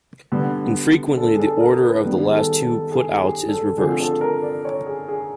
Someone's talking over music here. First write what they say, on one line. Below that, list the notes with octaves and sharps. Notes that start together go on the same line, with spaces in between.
Infrequently, the order of the last two putouts is reversed.
D3 G3 B3
A4
G#4
A4
A#4
B4
D#3 G3 B3
G#4
A4
A4
G#4
G4
G#4
A4
D3 F3 A3 C4 G#4
A4
A#4
D5
C#5
G#4
G#4